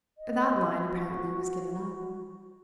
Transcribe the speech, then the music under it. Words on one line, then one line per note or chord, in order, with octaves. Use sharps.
That line apparently was given up.
D#5
F#4